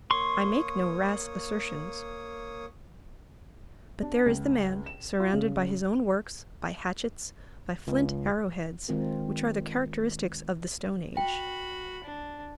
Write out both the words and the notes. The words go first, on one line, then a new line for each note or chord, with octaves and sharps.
I make no rash assertions; but there is the man surrounded by his own works, by hatchets, by flint arrow-heads, which are the characteristics of the stone age.
A#3 C#5 C6 C#6 D#6
D4
C#2
E7
F4
C#3
C#2
D#3 G#3 C4 D#4 F4 A#4
F#4 G5 B5
D4